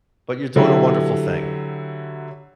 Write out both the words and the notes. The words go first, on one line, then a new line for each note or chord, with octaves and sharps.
But you're doing a wonderful thing.
D3 F#3 E4 G4